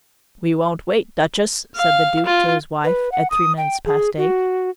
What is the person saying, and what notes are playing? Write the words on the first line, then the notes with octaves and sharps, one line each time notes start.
"We won't wait, Duchess," said the Duke to his wife at three minutes past eight.
F5
F4
B4
F#5
D#6
G5
G#4
F#4